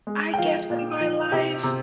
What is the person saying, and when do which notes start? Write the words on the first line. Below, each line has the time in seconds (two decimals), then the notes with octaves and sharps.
I guess, in my life,
0.07 G#3
0.34 G5
0.38 F3 F5
0.70 A#2
1.01 F3
1.32 C3 G4
1.63 C3